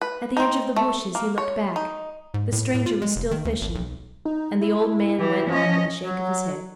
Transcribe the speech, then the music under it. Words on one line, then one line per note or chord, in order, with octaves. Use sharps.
At the edge of the bushes, he looked back; the stranger was still fishing, and the old man went on with a shake of his head.
B4
C4 D#4
A3
A#3
C#5
D#4
G#2
A2
A2
F4
G#3
F1
D#3
D2
G#1
B1
D#4
E4
E3 G4
F3 C#4 D#5
F#3